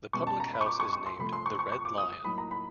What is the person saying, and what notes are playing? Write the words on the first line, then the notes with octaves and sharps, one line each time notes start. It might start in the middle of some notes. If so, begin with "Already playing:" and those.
The public house is named 'The Red Lion'.
B2 G#3 C#4 C#6
A5
A#5
B5
C#6
D6
C#6
C#6
C6
C3 F3 A3 B5
C6
C#6
C#6
C#6
D6
D#6
D#6
A2 F#3 A#3 D#4 B5
A#5
B5